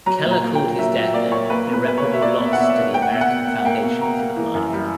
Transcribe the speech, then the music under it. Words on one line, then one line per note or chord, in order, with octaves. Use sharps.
Keller called his death an "irreparable loss" to the American Foundation for the Blind.
F#3 A#5
A#2
A#5
A#3
G5
A#2
F#3 E5
A#2 E5
A#3 D5
A#2 C#5
A#3 B4
B2 B4
B2 B4
C#5
A#3
E5
A#3 D5
B2
E5
F#5
B2 E5
E5
A#3
A#3 G5
F#5
B2 E5
F#5
B2
A#3
F#5
A#3 G5
B2
B2 A#5
A#3
E3
F#2
G3